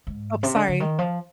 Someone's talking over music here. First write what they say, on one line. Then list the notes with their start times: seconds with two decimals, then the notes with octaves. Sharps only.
Ope sorry.
0.07 G#2
0.43 C3
0.56 D3
0.68 D3
0.80 D#3
0.98 F3